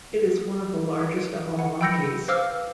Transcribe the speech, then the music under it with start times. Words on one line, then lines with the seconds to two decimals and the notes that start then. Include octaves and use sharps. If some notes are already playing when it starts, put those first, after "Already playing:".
It is one of the largest of all monkeys.
1.59 F#5
1.81 G5 B5 E6 G6 A#6 C#7
2.28 B4 C5 F5 D6 E6 F6